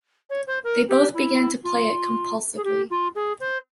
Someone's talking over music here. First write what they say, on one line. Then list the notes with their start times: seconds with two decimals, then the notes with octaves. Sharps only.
They both began to play it compulsively.
0.29 C#5
0.47 C5
0.63 A#4
0.88 G4
1.13 E4
1.63 F4
2.56 G#4
2.64 G4
2.90 F4
3.15 G#4
3.39 C5